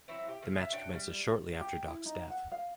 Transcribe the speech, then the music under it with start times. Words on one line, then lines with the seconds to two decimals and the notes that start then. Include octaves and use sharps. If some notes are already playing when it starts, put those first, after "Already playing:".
The match commences shortly after Doc's death.
0.08 E3 F#3 C4 E4
0.29 G4
0.42 C#3 E3
0.58 E5 F5
0.72 D4 F#4 C#5 G5
0.94 G3
1.60 G4
1.87 E4
2.05 D#4
2.30 F#5
2.52 F5